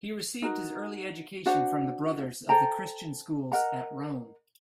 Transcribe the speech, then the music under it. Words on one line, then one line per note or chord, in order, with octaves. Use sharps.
He received his early education from the Brothers of the Christian Schools at Rome.
D#4 F#4 A#4
D4 F#4 C5 F#5
A4 C5 G5 A#5
A#4 D#5 F#5 A#5